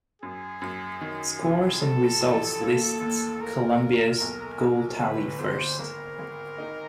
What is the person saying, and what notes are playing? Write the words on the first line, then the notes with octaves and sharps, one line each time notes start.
Scores and results lists Colombia's goal tally first.
F#2 G#4
F#2
D#3
F1
A3 A4
A1
A#3
D#2
A3 A#4
D#2
B1
B1
G1 B4
G1 C5
G#1 A#4
G#1
D#4